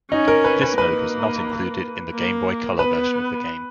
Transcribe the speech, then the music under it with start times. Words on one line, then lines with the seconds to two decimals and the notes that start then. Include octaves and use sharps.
This mode was not included in the Game Boy Color version of the game.
0.11 C#4 D#4
0.28 A#4
0.44 B4
0.62 B4
0.78 A#3 B4
2.12 A#3
2.79 B3 B4